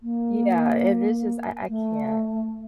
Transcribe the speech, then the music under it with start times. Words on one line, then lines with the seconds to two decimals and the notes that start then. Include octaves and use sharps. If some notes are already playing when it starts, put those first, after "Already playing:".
Yeah, and it's just I I can't
0.01 A#3
1.69 A3